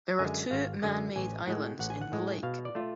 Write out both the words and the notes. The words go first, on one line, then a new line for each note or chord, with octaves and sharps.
There are two man-made islands in the lake.
F#2 D3 G#3 G#5
G#1 F5
F#2 D3 G#3 G#5
A1 G#5
A2 G#3 F#5
A1 F#5
G#5
F#5
A2 G#3
B2 F5
D5
A3 F4